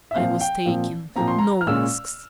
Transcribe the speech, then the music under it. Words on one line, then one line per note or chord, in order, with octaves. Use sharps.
I was taking no risks.
E5
A#2 F3 C4 F5
G5
A#2 F3 C4
A#2 F3 C4 A#5
C6
A#5
F6
A#2 G#3 C#4 E6